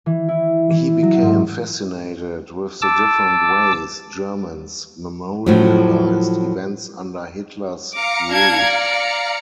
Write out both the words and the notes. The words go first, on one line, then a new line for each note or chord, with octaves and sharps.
He became fascinated with the different ways Germans memorialized events under Hitler's rule.
E3
E4
E3
F#3
G#2
A5 D6 E6
A2 F3 F#3
F5 A#5 D6 C#7
D4 G#6
D5